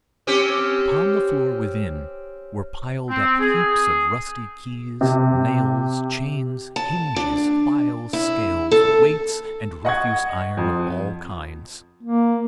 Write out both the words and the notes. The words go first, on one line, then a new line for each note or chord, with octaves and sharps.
Upon the floor within, were piled up heaps of rusty keys, nails, chains, hinges, files, scales, weights, and refuse iron of all kinds.
C4 C#4 G4
C4
G#4
C3
A5
D4
E4
A4
D#5 F#5 C#6 G#6
F2
A#3